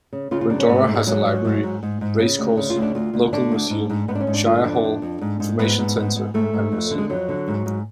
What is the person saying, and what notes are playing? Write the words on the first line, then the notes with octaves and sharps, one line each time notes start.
Windorah has a library, race course, local museum, shire hall, information centre and museum.
C#3
C#3 F4
F4
F#2 D4
C#4
G#2 B3
A3
G#2
G#3
G#2 F#3
G#2
G#2
G#2
G#2
G#2
C#3
D2
C#3
F4
D2
D4
D2 F4
D2
D3 D4
D2
G#2
G#2
G#2 B3
D4
C#4
G#2
D4
D3 F4
F2 D4
F2
F2
G#2
G#2
G#2 B3
G#2
G#2
G#2
G#2 A3
G#2
F2
D3
G#3
F2 F#3
D3
G#2
G#2